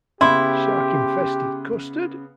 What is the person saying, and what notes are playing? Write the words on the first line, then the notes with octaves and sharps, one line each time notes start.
Shark infested custard!
C#3 B3 E4 G4 C6 D6